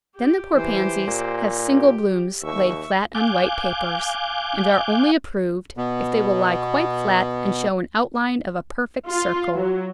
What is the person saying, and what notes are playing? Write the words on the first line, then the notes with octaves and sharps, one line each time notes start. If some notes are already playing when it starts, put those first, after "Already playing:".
Then the poor Pansies have single blooms laid flat on white papers, and are only approved if they will lie quite flat and show an outline of a perfect circle.
G4
E3 G4 C5
A#2
G4
D#2 E5 C#6
F5 G#5 D6 F#6 G6
B2 B3
F4
F#3